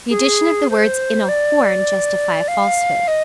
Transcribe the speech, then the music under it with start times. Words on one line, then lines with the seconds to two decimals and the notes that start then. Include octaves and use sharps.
The addition of the words "in a horn" justify a falsehood.
0.10 G#4
0.70 C5
1.29 D5
2.48 F5
3.08 D#5